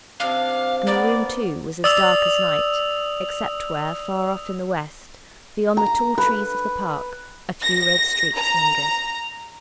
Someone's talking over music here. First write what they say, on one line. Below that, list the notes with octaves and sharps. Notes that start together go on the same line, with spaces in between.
And the room, too, was as dark as night, except where far off in the west, beyond the tall trees of the park, a few red streaks lingered.
C3 D4 F5
A#3 B3 D5
D5 D#6 E6 F7
A#5
B4
A#6
A#5